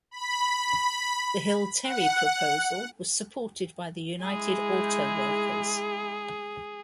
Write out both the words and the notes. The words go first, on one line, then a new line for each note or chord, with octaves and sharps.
The Hill-Terry proposal was supported by the United Auto Workers.
B5
F#5
G#3 E4 G#4